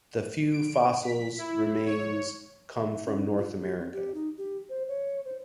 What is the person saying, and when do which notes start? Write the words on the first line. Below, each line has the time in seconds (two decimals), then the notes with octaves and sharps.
The few fossils remains come from North America.
0.50 D7
1.03 B6
1.38 E4
1.85 C#5
2.76 E5
3.05 C#4
3.38 F4
3.61 G4
3.79 C4
3.93 G4
4.14 D#4
4.38 G4
4.69 C5
4.88 C#5
5.25 C5